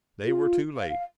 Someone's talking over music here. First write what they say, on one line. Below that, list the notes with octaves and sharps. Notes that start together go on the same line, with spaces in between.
They were too late.
F4
F5